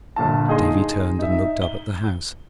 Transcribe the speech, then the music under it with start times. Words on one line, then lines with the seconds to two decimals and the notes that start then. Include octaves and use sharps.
Davy turned and looked up at the house.
0.16 G1 A#2 F4 A5
0.48 D#4 G#4 D#5 C6
1.19 D#4 E5
1.62 G7